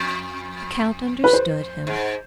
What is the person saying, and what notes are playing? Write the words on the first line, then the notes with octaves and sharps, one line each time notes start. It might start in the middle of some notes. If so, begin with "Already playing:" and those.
The count understood him.
Already playing: F2
B4
C5
G#2